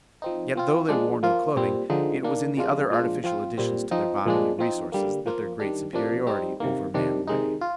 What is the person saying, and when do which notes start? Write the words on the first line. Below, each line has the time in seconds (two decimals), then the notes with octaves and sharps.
Yet though they wore no clothing, it was in the other artificial additions to their bodily resources that their great superiority over man lay.
0.22 F3 C4 D#4
0.55 F3 C4 F4
0.89 F3 G#3 D4
1.23 F3 A#3 F4
1.56 A#2 G3 C4
1.90 D3 F3 G#3 D#4
2.23 D#3 A#3 D4
2.57 C3 F3 G#3 D4 F4
2.90 A#2 F3 G#3 D4 F4
3.24 F3 C4 F4
3.58 A#2 G3 C4
3.91 F3 C4 D#4
4.25 A#2 F3 G#3 D4
4.59 F3 C4 D#4
4.92 D3 G3 A#3
5.26 F3 A#3 F4
5.60 D#3 G3 D4
5.93 C3 F3 A#3 D4
6.27 G3 C4 D#4
6.60 C3 D#3 A#3
6.94 C3 D#3 G3 D4
7.27 C3 D#3 G#3 D#4
7.61 F4